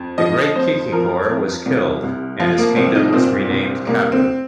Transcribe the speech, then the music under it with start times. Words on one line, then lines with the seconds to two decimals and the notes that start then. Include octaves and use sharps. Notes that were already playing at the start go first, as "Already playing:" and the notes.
The great Kikikor was killed and his kingdom was renamed Kaabu.
Already playing: F2
0.18 F3 D#5
0.55 F2 C5
0.92 F3 A#4
1.29 F2
1.66 C2
2.03 C2
2.40 F3 F4
2.58 A#3
2.76 C2 C4
2.95 D#4
3.13 A#2 C4
3.50 C2
3.87 C2 A#3
4.12 C4